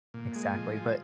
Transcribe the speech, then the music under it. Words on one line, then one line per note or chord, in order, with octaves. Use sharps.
Exactly, but,
A#2
G#3
F3
F3